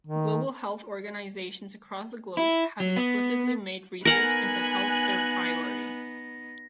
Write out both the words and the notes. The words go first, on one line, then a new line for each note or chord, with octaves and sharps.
Global health organisations across the globe have explicitly made research into health their priority.
D#3
E4
F#3
B3
B3 D#4 A#4 F#5 G#5 F#6 A#6